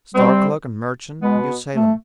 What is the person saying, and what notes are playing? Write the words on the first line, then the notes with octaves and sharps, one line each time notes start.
Store clerk and merchant, New Salem.
C3 G3 C4
B2 G#3 B3
A3